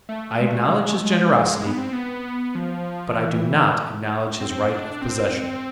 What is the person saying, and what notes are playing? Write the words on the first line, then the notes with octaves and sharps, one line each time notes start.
I acknowledge his generosity, but I do not acknowledge his right of possession.
A3
G#3
A3
G#3
A3
G#3
B3
C4
B3
F3
E3
C4
D4
C4